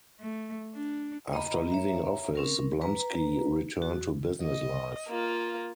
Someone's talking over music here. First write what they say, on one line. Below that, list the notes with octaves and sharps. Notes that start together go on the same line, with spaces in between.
After leaving office, Blumsky returned to business life.
A3
D4
D#5 A#5 B5
C#5 E5 A#5
C4 C#4 A#4
B4 A#5
F#4
D#5
A#3 F4